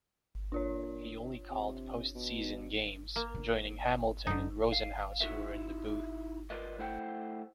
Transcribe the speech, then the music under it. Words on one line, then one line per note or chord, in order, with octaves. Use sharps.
He only called postseason games, joining Hamilton and Rosenhaus who were in the booth.
A#2 D4 F4 C#5
C3
B2
A#3
D3
F#2 D3 C#4 D#4
F5
D#4 E4 F#4 A4 A#4 E5
F4 A#4 B4 D5 D#5
A3 E4 C5 F#5 G5